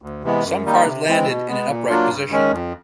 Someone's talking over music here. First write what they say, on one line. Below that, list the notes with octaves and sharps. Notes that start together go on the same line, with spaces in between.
Some cars landed in an upright position.
D2
C3 E3 G#3 B3
F#2
D#3 G3 A#3 D#4
C3
E3 G#3 C4
B2
G#3 B3
A#2
F#3 A#3 D4 F4
G2
D#3 G#3 C#4
F2